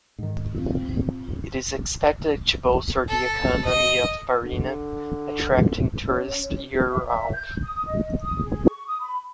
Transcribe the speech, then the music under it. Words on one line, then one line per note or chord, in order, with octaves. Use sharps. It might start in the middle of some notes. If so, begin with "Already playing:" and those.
It is expected to bolster the economy of Marina, attracting tourists year-round.
G#2 D#3
C4 F4
A4
D#5
D3
C#4
E5
E5
G6
D#6
D#5
D#6
G#4
C#6
D#6
B5